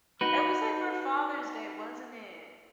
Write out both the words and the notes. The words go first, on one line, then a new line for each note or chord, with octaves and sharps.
it was like for Father's Day, wasn't it?
D#4 F#4 B4